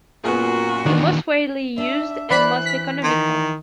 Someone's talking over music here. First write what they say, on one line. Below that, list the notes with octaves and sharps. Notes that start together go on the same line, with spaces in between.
The most widely used and most economical.
F#2 A#2 B3 F#4 G#4
D#2 D#3 E3 D4
D4 E5
E3 E4 C5 D5 B5 F#6
B6
D#3 D#5